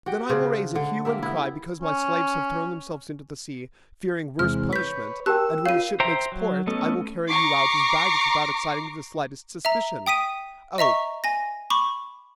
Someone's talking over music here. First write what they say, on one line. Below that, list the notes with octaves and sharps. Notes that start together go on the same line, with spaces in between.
Then I will raise a hue and cry because my slaves have thrown themselves into the sea, fearing worse punishment; and when the ship makes port, I will carry you out as baggage without exciting the slightest suspicion!" "Oh!
F#4 G4 G5
C#3 D4 C5 D5
D3
A#3 G4 E5
B3 E4
C#4
E2 C3 G#3 F6
B4 C#5 G6 B6
G4 A#4 G5 A5 E6 F#6
F4 C#5 F5 D#7
C5 E5 G5 A#5
F#3
A3 B3 C#4 A4 D#5
A#5 C#6 D6 C7
E5 A#5
G5 D#6 B6 D#7
D#5 E5 A#5 C#6
G#5 A#6
B5 C#6 D6